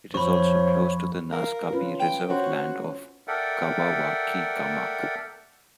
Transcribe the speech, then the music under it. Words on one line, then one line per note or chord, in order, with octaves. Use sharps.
It is also close to the Naskapi reserved land of Kawawachikamach.
F2 F3 C#5 B5 C#6
A#4 F5
C#4 F4 B4
G5
C#4 F#4 C5 C#5
A4 A#4 D5 E5 F#5 G5